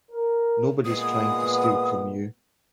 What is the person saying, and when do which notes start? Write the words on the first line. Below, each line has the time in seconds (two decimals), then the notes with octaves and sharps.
Nobody's trying to steal from you.
0.11 A#4
0.85 A#2 G#3 B3 D#6